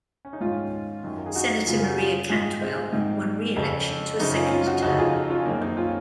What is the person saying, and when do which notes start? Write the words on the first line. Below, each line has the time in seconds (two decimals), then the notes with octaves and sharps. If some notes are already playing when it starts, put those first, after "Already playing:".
Senator Maria Cantwell won re-election to a second term.
0.25 C#4
0.33 D#4
0.41 G#2 D#3 C#4 F4
1.04 F#2 D#3
1.18 A#4
1.26 G#4
1.35 D#4 F#4
1.67 F#2 C#3 F4 G#4
1.83 F#4 A#4
1.98 F4 G#4
2.29 G#2 D#3 F4 G#4
2.62 G#3 C4
2.93 G#2 D#3
3.56 F2 C#3
4.19 F#2 C#3 C4 D#4
4.35 C#4 F4
4.51 C#4 F4
4.67 D#4 F#4
4.82 F2 C#3 D#4 F#4
4.98 F4 G#4
5.30 C#4 F4
5.45 F#2 D#3 A#3
5.61 C4 D#4
5.77 C#4 F4